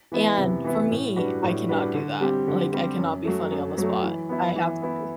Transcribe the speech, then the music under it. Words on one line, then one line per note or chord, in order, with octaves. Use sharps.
and, for me, I cannot do that, like, I cannot be funny on the spot. I have to
E3 B3 E4
C3
E3 B3 E4
A2
G3 D4 F#4 B4
A2
G3 D4 F#4 B4
D3
G3 C4 G4
D3
G3 C4 G4
F#2
F#3 A3
F#2
F#3 A3
E3
B3 E4
E3
B3 E4